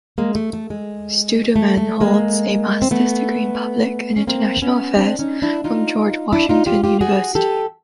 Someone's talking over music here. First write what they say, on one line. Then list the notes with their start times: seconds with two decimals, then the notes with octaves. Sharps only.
Studeman holds a master's degree in public and international affairs from George Washington University.
0.18 G#3 A#3
0.35 A3
0.53 A3
0.70 G#3
1.56 A3
1.77 A3
2.00 G#3 A#3
2.82 C4
2.91 A3 B3
4.16 C#4
4.27 A#3 C4
4.62 B3 C#4
4.97 C4 D4
5.19 C#4 D#4
5.42 D4 E4
5.64 D#4 F4
6.33 D4 E4
6.49 D#4 F4
6.66 F4 G4
6.84 F4 G4
7.01 F#4 G#4
7.35 G4 A4